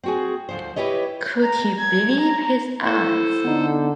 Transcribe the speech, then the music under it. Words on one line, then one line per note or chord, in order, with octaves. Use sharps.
Could he believe his eyes!
C4 F#4 G#4
D2 F3 C5
E4 G4 B4 C#5 D#5
A#5
G#6
A#5
E4 A4 C5
D3 B3 D#4